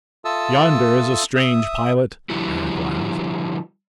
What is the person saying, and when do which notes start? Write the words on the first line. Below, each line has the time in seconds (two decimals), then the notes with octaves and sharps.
"Yonder is a strange pilot," Eric laughed.
0.25 F4 A4 E5 A5 D#6 E6
1.35 E5 D#6
2.30 D3 F3 G3 E4 F#4